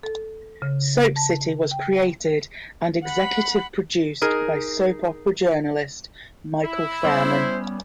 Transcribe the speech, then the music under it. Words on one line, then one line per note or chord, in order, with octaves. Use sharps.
SoapCity was created and executive produced by soap opera journalist Michael Fairman.
A4
C#3
A5
G5
F#5 B5
D#4 G#4 A#4
E4
G3 B3 C#4 C5